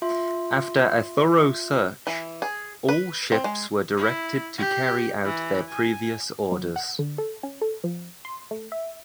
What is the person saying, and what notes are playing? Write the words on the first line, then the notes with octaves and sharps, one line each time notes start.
After a thorough search, all ships were directed to carry out their previous orders.
F4 E5 C6
E3
G#4
B4
C4
G#3
E4
G4
E3
G#5
F#3
F#5
D3
A4
C#4
A4
F3
C6
A3
E5